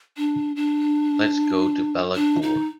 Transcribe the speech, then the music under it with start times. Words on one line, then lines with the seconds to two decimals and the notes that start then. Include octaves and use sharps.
Let's go to Balaguer.
0.17 D4
0.56 D4
2.16 D4
2.42 D#4